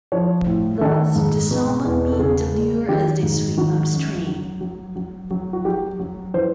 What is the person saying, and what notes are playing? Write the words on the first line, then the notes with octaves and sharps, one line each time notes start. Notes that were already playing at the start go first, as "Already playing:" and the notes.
Thus, the salmon meet the lure as they swim upstream.
F3 C#5
A2
D#3 A4
G#2
B2
E2
A4
C#3 G#4
G#3
D#3 G4
G#2
D#3 F#4
F#2
F#3
F#3
F#3
F#3
F#4
F#3 G4
F#3
E3 C5